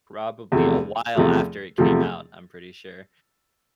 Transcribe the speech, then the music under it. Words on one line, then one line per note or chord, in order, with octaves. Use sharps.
probably a while after it came out, I'm pretty sure.
E2 C3 F3 A3
E2 C3 F3 A3
E2 C3 F3 A3